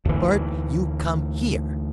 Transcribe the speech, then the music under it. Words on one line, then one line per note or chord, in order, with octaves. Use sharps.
"Bart, you come here!"
D2 E3